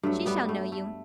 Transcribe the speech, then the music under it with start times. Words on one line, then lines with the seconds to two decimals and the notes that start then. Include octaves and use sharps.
'She shall know you.
0.03 G2 F#3 A3
0.26 G3 B3
0.49 A3
0.72 A3